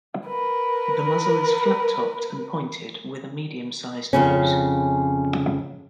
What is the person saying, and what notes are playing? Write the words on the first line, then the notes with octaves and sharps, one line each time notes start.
The muzzle is flat-topped and pointed, with a medium-sized nose.
A#4 B4
F2 C#3 C#4